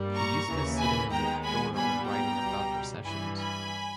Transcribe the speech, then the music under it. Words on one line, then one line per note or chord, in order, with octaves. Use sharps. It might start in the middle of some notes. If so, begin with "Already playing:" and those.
He used the pseudonym Dora when writing about their sessions.
Already playing: G2 G3 A#3
A#5 C#6
D#2 C#3 E3 A#3
G#5 B5
D#2 D#3 G#3 B3 G5 A#5
G#5 B5
A#2 G3 B3 G#5 B5
G5 A#5
C#2 B2 G3
G2 E3 G3 G#5 B5
G#5 B5